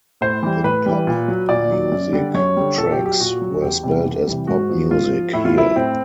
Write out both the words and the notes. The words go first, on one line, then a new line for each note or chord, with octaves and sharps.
The "Pop Muzik" tracks were spelled as "Popmuzik" here.
A2 C5
E3 G3
A2 B4
E3 G3
A#2
F#3
A#2 D5
F#3
F#2
D3 G3
F#2 C#5
D3 G3
A#2 A4
G4
F#3
G4
A#2 F#4
F#3
E2 G4
C3 E3 G3
E2
C3 E3 G3
G#2 F#4
F3
G#2 F4
F3
A2 E4
F4
F#3 E4
A2 C4